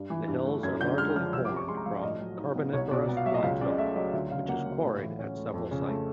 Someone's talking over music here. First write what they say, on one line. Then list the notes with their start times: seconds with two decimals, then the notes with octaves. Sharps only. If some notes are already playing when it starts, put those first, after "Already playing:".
The hills are largely formed from Carboniferous Limestone, which is quarried at several sites.
Already playing: G2
0.10 E3
0.28 G2
0.46 A3
0.63 F#2 G#6
0.81 D3 G6
0.98 G#3 F6
1.16 F3 F6
1.33 C2 E6
1.45 D6
1.51 C3
1.56 C#6
1.68 G#3 C6
1.77 A#5
1.86 F3 F5
1.94 D5
2.03 A2 D#5
2.21 F#3
2.38 D#4
2.56 B3
2.73 C2 C#5
2.91 B2 D5
3.08 B3
3.17 F5
3.26 F#3 E5
3.34 D#5
3.43 C#2 F5
3.61 C#3 D5
3.70 D#5
3.78 A3 E5
3.96 F#3 D#5
4.13 D2 E5
4.31 C#3 F5
4.48 A#3 F#5
4.66 F#3
4.84 A2
5.01 E3
5.19 C#4
5.36 A3
5.53 F2
5.71 C#3
5.89 A3